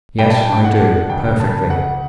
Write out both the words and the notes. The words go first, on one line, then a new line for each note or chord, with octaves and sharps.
Yes; I do, perfectly.
G3 G5
A5
G5
D4
F#5
D4
C#2 G5
C#3 A5
C#2 F#5